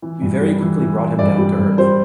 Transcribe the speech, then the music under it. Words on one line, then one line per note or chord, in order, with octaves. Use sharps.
We very quickly brought him down to earth.
E3
G2
G3
E3
E3
E3
G2 D5
G3
G2
G3 C5